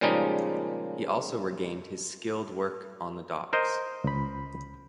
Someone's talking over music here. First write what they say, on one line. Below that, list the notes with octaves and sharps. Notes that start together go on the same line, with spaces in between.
He also regained his skilled work on the docks.
A#2 C#3 F3 G3 G#3 D#4
A#4 C5 D#5
C#2 B5